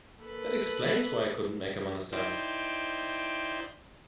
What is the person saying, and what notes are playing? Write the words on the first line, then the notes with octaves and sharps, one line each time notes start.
That explains why I couldn't make him understand.
A#3 A4 B4
D#4 E4 C5 D5 G5